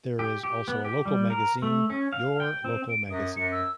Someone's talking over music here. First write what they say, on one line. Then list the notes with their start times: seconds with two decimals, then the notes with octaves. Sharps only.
There is also a local magazine, "Your Local Magazine".
0.19 G4
0.43 G4
0.68 B3
0.84 G4
1.06 G3
1.30 A#4
1.62 A3
1.90 C#4
2.13 F5
2.40 G5
2.64 C4
2.89 D7
3.10 F#2 D#6
3.36 F#2 C#7
3.52 E6